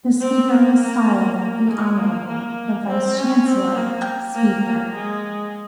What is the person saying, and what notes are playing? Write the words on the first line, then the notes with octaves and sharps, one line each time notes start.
The speaker was styled The Honourable, the Vice-Chancellor, Speaker.
C4
A#3
A#3
G#3
A#3
A#3
C4
C#4
C4
A#3
A#3
A#3
G#3